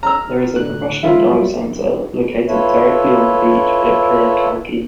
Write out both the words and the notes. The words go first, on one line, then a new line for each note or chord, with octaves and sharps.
There is a professional dive center located directly on the beach at Playa Kalki.
A#5 E6 F6
A2 D3 F#6
F3 G#3 E4 F4
F#3 G3
E4 F4 A4 B4 C#5 E5